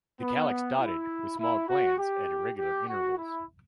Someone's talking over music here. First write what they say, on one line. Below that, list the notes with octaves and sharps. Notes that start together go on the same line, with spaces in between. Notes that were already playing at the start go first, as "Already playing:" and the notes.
The calyx dotted with small glands at irregular intervals.
B3
E4
E4
F#4
G4
G4
F#4
E4